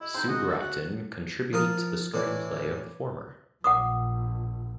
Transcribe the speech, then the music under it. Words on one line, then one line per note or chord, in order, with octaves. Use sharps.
Sue Grafton contributed to the screenplay of the former.
E4 D#5
C4 D#4 C5 C6
G#3 C4 F#4 D#5
A4
F#5
F3 A#4 D#6
A2 E3 D4
A#1 F#5 D6 D#6